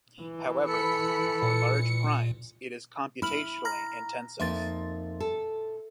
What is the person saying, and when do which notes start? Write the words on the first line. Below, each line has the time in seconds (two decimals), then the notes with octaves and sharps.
However, for large primes it is computationally intensive.
0.21 E3
0.67 A4 B5 B6 C#7
1.43 A#2 C#7
3.22 E4 B5 F6 F#7
3.65 A#5 F6 A#6
4.40 F2 A#3 D#4 E5 C6 A6
5.20 A4